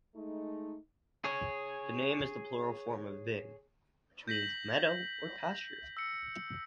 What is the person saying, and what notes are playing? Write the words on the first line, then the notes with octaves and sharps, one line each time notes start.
The name is the plural form of "vin" which means "meadow" or "pasture".
G#3 A3 D#4
G#4 C#5
G6 A#6 B6 F#7
E6 C#7